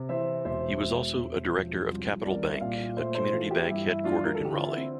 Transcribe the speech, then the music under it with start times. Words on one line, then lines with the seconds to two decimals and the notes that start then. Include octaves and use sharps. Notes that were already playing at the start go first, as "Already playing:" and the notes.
He was also a director of Capital Bank, a community bank headquartered in Raleigh.
Already playing: C3
0.09 E3 C5 E5
0.45 E1 C5 E5
0.82 E1
1.17 E1
1.53 F3
1.89 C2
2.25 C2 A#4 D5
2.49 E5
2.61 A#2 D5 F5
2.97 A3 C5 E5
3.15 A4 C5
3.33 E3 F4 A4
3.51 E4 G4
3.69 G2 E4
3.87 E4
4.04 E3 D4 F4
4.25 A#4
4.35 A4
4.40 D3 G4
4.55 F4
4.64 E4
4.77 C4